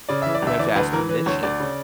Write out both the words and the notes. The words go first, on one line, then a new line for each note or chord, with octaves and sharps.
You have to ask permission.
C#3 D5
E3 E5
D5
D2 E5
E3 D5
D2 B4
E3 A#4
E3 B4
D2 C#5
D2 D5
C#3